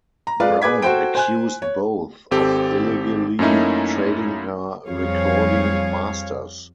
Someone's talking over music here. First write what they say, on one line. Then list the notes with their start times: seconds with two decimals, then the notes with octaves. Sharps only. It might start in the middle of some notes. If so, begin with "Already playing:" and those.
Brown accused both of illegally trading her recording masters.
0.27 A#5
0.40 G#3 F4 B4 D5 F5
0.61 G#4 B4 D6 G#6 B6
0.82 F#4 A4 C5 G5 D7
1.15 C5 G#5 F#6
1.62 C#5
2.31 G#1 C4 G4 A4
3.39 F#2 A3 A#3 C#4 D#4 E4
4.88 F2 F3 G3 G#4 C#5 F5